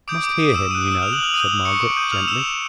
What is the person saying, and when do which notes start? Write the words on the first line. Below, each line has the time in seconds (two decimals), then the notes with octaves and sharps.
"I must hear him, you know," said Margaret, gently.
0.08 D6 D#6 G6 D7
0.24 D6 D7
0.39 D#6 D#7
0.55 E6 E7
0.71 D#6 D#7
0.75 F#6
0.81 D#6 D#7
0.91 E6 E7
1.02 F6 F7
1.12 F#6 F#7
1.23 F6 F7
1.34 D#6 G6 D#7
1.65 C#6 C#7
1.81 D6 D7
1.96 D#6 G6 D#7
2.12 F6 F7
2.28 E6 E7